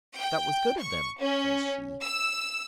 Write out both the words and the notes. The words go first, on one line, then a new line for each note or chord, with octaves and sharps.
'That was good of them,' says she.
G5
C#6
C#4
E6